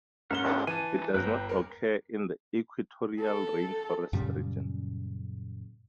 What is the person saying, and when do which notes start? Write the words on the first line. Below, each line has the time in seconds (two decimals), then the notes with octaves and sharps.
It does not occur in the equatorial rainforest region.
0.31 G#2 C#4 A#4 F#5 E7 G7
0.67 E3 G#5 A5
1.14 G1 B4 G5 A#5
1.49 F#1 A#4
3.20 A4
4.13 F#2 A#2 C#3 G3